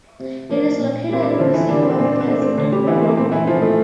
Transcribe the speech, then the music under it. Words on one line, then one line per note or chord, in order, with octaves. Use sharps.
It is located in the city of Fez in Morocco.
C3
F3 A#3
A#2
G3 A#3 C4
D4
E4
D3 F3 F4
E3 E4
D3 G3 A#3 D4
C4
D4
A#2 C4
D4
C4
D4
A3 C4
D4
C4
D3 D4
G3 G4
E3 A3 E4
C4
A#3
A#2 C4
E3 E4
F3 A3 F4
A3 A4